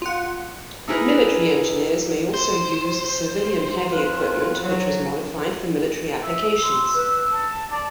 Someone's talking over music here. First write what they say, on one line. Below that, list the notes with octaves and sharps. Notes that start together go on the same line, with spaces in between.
Military engineers may also use civilian heavy equipment which was modified for military applications.
F4 F#5
D#4 E4 G#4 A#4 B4
C5
F2 F4 B4
F#3
E5
E6
C6
B4
A5
D5